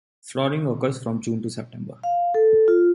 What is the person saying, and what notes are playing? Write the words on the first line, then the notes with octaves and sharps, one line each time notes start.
Flowering occurs from June to September.
F5
A4
F4